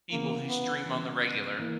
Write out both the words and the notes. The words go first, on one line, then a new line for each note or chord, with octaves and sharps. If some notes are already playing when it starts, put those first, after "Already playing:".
people who stream on the regular.
C#3 E3 A#3 B3
B3
C#3 E3 B3
E3 A#3 E4